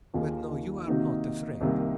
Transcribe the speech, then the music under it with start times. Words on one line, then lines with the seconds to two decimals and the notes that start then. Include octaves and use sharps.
But no, you are not afraid.
0.14 D#2 D#3 A#3 F4 G#4
0.88 C3 D#3 A#3 D#4 F#4
1.61 C2 C3 D#3 A#3